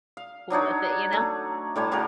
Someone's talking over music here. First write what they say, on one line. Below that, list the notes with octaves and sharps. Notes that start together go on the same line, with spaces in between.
full with it, you know?
F5
F#3 D4 D#4 C#5
A3
A2 G3 C#5 A5
C#3 G3 F#4 A#4